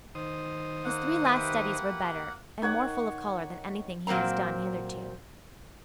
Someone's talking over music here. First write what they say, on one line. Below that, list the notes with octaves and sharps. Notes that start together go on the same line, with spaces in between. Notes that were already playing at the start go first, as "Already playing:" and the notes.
His three last studies were better and more full of colour than anything he has done hitherto.
D#3 C5 D#6
A#3 F#5
G4 B4 E5
D#3 C#5 F#5 D6
A#2 F#3 A#3 C4 A#5